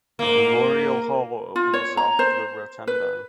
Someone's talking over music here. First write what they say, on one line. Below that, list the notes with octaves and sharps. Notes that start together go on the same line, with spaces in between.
Memorial Hall opens off the Rotunda.
G#2 A#3
F4
C#5
A#5
C5
B4